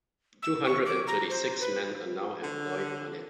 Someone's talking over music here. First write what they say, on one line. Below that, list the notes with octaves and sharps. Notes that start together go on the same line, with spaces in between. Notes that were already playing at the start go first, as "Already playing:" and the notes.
Two hundred and thirty-six men are now employed on it.
E6
C#6
D6
A#5
C5
B4
D3